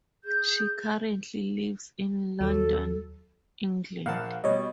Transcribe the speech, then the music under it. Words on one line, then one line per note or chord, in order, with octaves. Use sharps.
She currently lives in London, England.
G#4 G6
D#2 F#3 A4
A#1 A#3 F5 F#5 A5
B2 G3 C#5 D#5